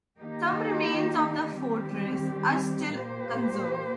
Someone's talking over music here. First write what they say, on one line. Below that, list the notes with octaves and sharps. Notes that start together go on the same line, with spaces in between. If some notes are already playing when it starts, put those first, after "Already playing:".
Some remains of the fortress are still conserved.
D#3 A#3 D#4 G4
D#3 G3 C4 G4
A#2 A#3 G4 C5